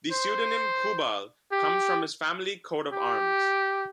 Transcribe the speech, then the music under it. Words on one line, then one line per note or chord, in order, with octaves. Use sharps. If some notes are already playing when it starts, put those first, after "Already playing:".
The pseudonym "Hubal" comes from his family coat of arms.
C5
G4
G4